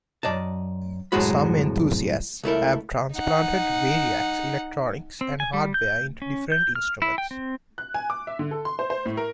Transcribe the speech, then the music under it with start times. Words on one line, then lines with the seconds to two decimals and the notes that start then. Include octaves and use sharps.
Some enthusiasts have transplanted Variax electronics and hardware into different instruments.
0.23 F#2 D5 D#5 A5
1.12 C2 F#2 A2 G#3 F#4 B5
2.43 C#2 A3 E4 A#4
3.14 D#4 F#5
5.21 C4
5.40 G#5
5.53 G3
5.74 G6
6.22 C#4
6.52 G6
6.75 F6
7.02 E4
7.18 G5
7.31 C4
7.78 F#6
7.94 G#5
8.10 D6
8.27 E5
8.39 D3
8.51 A4
8.65 C6
8.79 C5
8.90 C5
9.06 A2
9.17 A#4